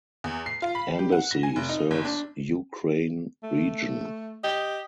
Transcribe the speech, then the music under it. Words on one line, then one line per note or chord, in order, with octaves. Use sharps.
Embassy serves Ukraine region.
E2
C7
F4
B5
G4
F#5
A#6
G#5
F1
D#4
G1
D4
A3
G4 D#5